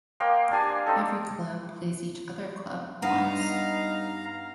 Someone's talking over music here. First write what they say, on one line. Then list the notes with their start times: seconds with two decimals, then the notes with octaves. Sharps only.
Every club plays each other club once.
0.20 A#3 C5 D#5 G5
0.51 D4 G4 G#5
0.86 C4 D#4 A4
3.02 G2 B3 D#4 F5 A#5